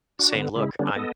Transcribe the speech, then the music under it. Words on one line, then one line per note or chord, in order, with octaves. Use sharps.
saying, "Look, I'm
D4 F#4
D3 B3
C#3 G#3 E4
D3 G3 B3 C#4 D4
B3 A4 D#5